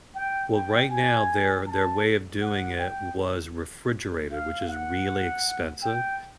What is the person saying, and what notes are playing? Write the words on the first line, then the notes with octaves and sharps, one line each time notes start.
well, right now, their their way of doing it was refrigerated, which is really expensive,
G5
G5
G#5
A5
F#5
G5
F5
F#5
G5